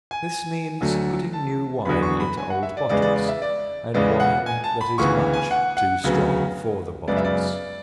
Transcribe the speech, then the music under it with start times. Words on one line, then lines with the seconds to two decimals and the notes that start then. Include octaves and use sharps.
This means putting new wine into old bottles, and wine that is much too strong for the bottles.
0.11 G#5
0.81 D2 D3 F#3 A3
1.33 A5
1.85 E2 D3 F#3 B3 B5
2.02 C#6
2.20 B5
2.37 G#5
2.50 F#5
2.63 E5
2.77 D5
2.89 E2 C#3 G#3 B3 D5
3.02 D5
3.16 D5
3.29 E5
3.42 D5
3.94 E2 C#3 G#3 B3 D5
4.20 F#5
4.46 G#5
4.64 A5
4.81 B5
4.98 D2 C#3 E3 B3 C#6
5.33 G#5
5.51 F#5
5.77 F#5
6.04 D2 C#3 F#3 B3
7.07 F#2 C#3 G#3 B3 D5
7.17 E5
7.25 D5